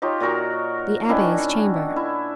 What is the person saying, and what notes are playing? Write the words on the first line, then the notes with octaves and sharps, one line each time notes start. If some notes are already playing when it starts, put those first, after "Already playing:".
The Abbe's Chamber.
D#4 F4 G4 C#5
A#2 F#4 A#4 A#5
D#3 C#4 D4 E4
E4